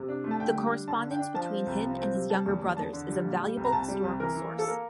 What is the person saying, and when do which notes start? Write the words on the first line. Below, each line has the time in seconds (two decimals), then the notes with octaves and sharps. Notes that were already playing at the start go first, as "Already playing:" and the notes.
The correspondence between him and his younger brothers is a valuable historical source.
Already playing: C3
0.09 D4
0.24 A3
0.31 A5
0.40 D3 G5
0.55 G3
0.72 D4
0.87 D3 A5
1.03 D4
1.11 G5
1.19 D4
1.34 F3 A5
1.50 C4
1.66 C2
1.82 F3
1.98 C4
2.14 C3
2.30 G3 A5
2.46 E2
2.62 E2
2.77 E2 A5
2.93 D3
3.09 G3
3.25 A#2
3.41 G3
3.57 C2
3.65 A#5
3.72 C2 A5
3.88 G3
4.04 C2
4.20 E3 A#4
4.35 E3
4.51 A#3
4.59 A4
4.67 A#3 A#4